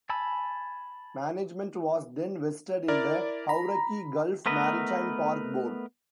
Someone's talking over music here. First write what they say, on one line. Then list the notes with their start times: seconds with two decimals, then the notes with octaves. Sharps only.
Management was then vested in the Hauraki Gulf Maritime Park Board.
0.10 G#5 A5 B5 E6
2.88 E4 A#4 D5
3.49 A#5 B5
4.46 A3 B3 A#4 B4 D#5